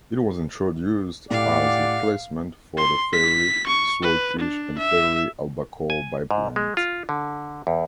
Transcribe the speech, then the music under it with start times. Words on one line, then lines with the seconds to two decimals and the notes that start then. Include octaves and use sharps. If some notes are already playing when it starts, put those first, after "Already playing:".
It was introduced as a replacement for the Fairey Swordfish and Fairey Albacore biplanes.
1.31 A2 G4 D5 F5 F#5
2.78 C6
3.13 B6
3.67 C#6
4.02 B4
4.39 D4
4.78 E5
5.90 G#5
6.31 G#2
6.56 G#3
6.77 F4
7.09 D3
7.67 E2